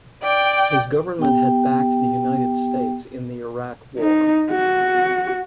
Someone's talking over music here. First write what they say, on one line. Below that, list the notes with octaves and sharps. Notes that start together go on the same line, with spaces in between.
His government had backed the United States in the Iraq war.
D5 G5
B3 G4 G5
D#4
F#4